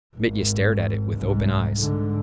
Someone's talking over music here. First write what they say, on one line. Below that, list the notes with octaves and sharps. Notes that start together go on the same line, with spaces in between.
Mitya stared at it with open eyes.
G#1
C2 G#2
G#2 D3